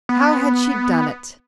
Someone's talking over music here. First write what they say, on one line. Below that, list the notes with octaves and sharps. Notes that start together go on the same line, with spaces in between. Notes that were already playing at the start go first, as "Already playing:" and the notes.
How had she done it?
B3